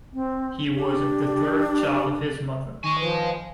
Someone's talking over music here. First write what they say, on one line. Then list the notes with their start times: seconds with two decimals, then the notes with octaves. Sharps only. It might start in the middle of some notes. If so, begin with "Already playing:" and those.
He was the third child of his mother.
0.13 C4
0.74 D4 G4
2.83 D#3 D#5 G#5 C#6
3.00 F3 B4